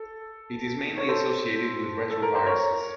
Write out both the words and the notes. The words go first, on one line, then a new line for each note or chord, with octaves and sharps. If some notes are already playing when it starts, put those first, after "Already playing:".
It is mainly associated with retroviruses.
Already playing: A4
C#5
A4 C5
A4
A#4
C5
A#4 C#5